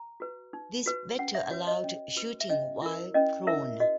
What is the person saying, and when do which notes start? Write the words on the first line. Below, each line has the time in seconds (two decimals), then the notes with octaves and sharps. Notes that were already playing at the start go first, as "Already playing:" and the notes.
This better allowed shooting while prone.
Already playing: A#5
0.20 F#4 B4
0.53 D#4
0.86 F#4 B4
1.19 C#4 F#5
1.35 E5
1.51 F#4 B4 C#5
1.67 D#5
1.84 C#4
2.16 F#4 B4
2.41 E5
2.49 C#4 D#5
2.82 E4 A#4
3.14 C#4 D#5
3.47 E4 A#4 E5
3.80 F#4 D#5